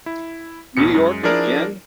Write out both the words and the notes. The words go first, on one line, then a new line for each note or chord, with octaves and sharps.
New York again.
E4
A1 E2 B2 C#7
F#2 G#3
F3 D4 E4 G#4 A#4 D5